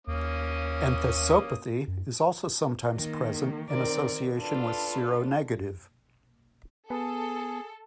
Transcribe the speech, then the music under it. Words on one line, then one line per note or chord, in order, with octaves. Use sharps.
Enthesopathy is also sometimes present in association with seronegative.
D#2 A#3 C#4 D#6
F#2
D#3 A#3
D#3 C4 A#4 D5
D4 F4 A4 B4
B3 G#4 A4